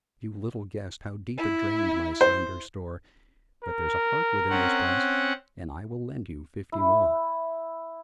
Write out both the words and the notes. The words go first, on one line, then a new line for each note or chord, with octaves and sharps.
You little guessed How deep it drained my slender store: But there's a heart within this breast, And I WILL LEND YOU FIFTY MORE!'
E4
C5
A#4
C4 C#4 F#5
E4